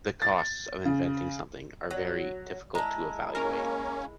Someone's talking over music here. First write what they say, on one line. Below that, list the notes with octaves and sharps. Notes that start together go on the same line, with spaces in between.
The costs of inventing something are very difficult to evaluate.
A6
C#3
F#3
G#3 E4 A5 A#5
A#3 C#4 A#4